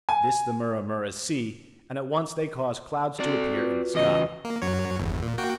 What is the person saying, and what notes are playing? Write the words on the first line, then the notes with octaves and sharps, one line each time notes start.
This the Mura-muras see, and at once they cause clouds to appear in the sky.
G#5
C4 F#4 A4 D5
F4 F#4 B4
E2 C#3 D#5
A#3
F#2 F#3 C#5
G1 E2
A#2
A#3 F#4 G5